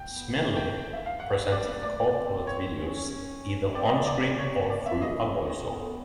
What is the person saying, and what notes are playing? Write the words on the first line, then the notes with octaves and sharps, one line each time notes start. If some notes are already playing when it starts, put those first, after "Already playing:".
Smillie presented corporate videos either on-screen or through a voice-over.
Already playing: G5
B3
A3
A#3 G5
A3
G#3 E5
F5
F#5
C#4
C4 D5
B3
A#3
A3 D5
A#3
C4
C#5
C#4
C#4
C4 D5
B3 D#5
D5
A#3 D5
C#5
B3 D5
E5
D#5
C#4
C4
B3